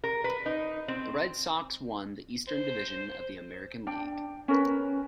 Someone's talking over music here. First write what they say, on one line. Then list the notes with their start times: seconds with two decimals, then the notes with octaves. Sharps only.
The Red Sox won the Eastern Division of the American League.
0.04 A#4
0.24 B4
0.46 D#4
0.88 C4
2.48 C5
3.87 D4 G5
4.48 C#4 A#4 B4